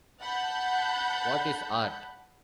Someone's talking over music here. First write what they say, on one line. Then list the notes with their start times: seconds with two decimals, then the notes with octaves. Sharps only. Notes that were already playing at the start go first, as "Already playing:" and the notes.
What Is Art?
0.21 F#5 A5 B5 F#6 G6